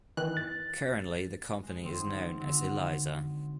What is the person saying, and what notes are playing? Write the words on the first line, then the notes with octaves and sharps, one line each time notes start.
Currently the company is known as Elisa.
D#3 E3 F#6
A6
G#3
F1 D#3 C4 C5 D#6
D3 C4 D#4 F#4